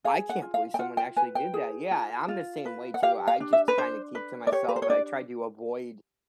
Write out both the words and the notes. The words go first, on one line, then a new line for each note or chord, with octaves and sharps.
I can't believe someone actually did that, yeah, I'm the same way too, I just kinda keep to myself, I try to avoid,
G#4 F5
F#5
F4
F5
G5
F4 F#5
G5
B4 G#5
G5
G#4
F4
F4
B4
F#5
G4 F5
F5
D4
E5
B4
D4 C5
B4
D5
G4 C#5
B4
C5
C#5
D4 D5